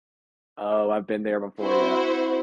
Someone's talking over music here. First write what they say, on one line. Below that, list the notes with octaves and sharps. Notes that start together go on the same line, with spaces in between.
Oh, I've been there before, yeah.
C4 E4 F#4 C5